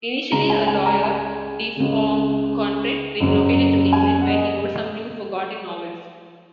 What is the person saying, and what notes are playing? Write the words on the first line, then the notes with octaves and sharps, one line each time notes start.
Initially a lawyer, Defauconpret relocated to England where he wrote some now forgotten novels.
C#2 C#3 A#5
G#5
G#5
A#5
G#5
C#2 C#3
F#1 F#2 C#3
G#5
F#5
D#5